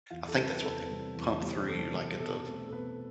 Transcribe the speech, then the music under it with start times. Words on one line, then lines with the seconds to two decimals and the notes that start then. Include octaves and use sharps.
I think that's what they pump through you, like, at the f
0.10 E2 F4
0.28 A4
0.37 C3 G3 C4
0.46 B4
0.63 E2 A4
0.89 C3 G3 C4
1.15 E2
1.42 C3 G3 C4
1.68 E2 A4
1.94 C3 G3 C4
2.20 B2 A4
2.45 A3 C4
2.68 A4
2.72 B2 B4